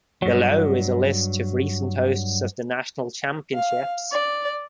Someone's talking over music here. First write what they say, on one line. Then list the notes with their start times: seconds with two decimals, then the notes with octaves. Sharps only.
Below is a list of recent hosts of the National Championships.
0.22 G2 F#3
3.54 F5
4.11 D5